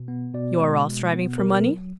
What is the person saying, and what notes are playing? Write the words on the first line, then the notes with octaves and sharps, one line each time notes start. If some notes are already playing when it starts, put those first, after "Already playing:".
You are all striving for money.
Already playing: B2
B3
B2 D5
G#3
B2
B3
B2 A#4
F#3